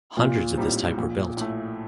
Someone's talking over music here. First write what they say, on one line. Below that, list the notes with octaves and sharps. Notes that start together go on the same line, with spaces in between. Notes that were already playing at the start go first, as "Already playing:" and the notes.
Hundreds of this type were built.
A#1 A#2
A2 G3 C4 D#4
A#1 A#2
A2 A3